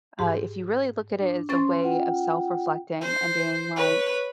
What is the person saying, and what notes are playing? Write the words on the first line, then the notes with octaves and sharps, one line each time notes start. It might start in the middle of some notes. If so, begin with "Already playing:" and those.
uh, if you really look at it as a way of self-reflecting and being like,
G#2 G4
D4
C#4 C5 C6 C#6 A6
F4 F#5 G5
C5
B4 C#5